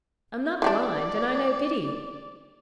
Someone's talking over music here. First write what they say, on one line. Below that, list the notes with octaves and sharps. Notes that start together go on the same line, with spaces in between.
'I'm not blind, and I know Biddy.
E3 G3 D4 D5